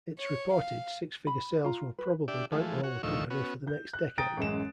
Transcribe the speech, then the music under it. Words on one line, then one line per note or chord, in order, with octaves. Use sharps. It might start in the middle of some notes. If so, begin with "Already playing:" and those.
Its reported, six-figure sales will probably bank-roll the company for the next decade.
C#5
F5
B5
F4 A#5
B4
D4 G4 D5 E5
E3 F3 G#3 A3
F#4 C#5
D2 A2 D#3 F3 C#6 E6
B3 C#4 F#4
G6
F#6
G5 A#5 D#6 A6 D7
A1 F#2 G#3 E7